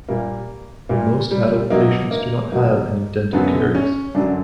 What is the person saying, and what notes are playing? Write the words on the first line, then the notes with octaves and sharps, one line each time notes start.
Most adult patients do not have any dental caries.
A#2 G3 A#3
A#2 G3 A#3
G3
B2 F#3 A#3
A#3
B2 F#3 A#3
F#2 D3 F#3 B3
C#4
F#2 D3 F#3 D4